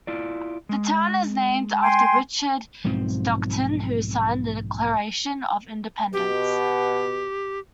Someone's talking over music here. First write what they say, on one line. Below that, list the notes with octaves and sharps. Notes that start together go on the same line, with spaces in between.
The town is named after Richard Stockton, who signed the Declaration of Independence.
E4 F4 D5
G#3
G5 G#5 C6
B1 G#2 F3 C4
B2 G4